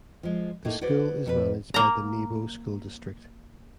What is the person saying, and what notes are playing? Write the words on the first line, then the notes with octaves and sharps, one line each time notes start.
The school is managed by the Nebo School District.
F3 G#3
A2 A3 A#3 D#4
F#4 G#4 B4 C5 D5
F2 A4 B4
A#3 A#5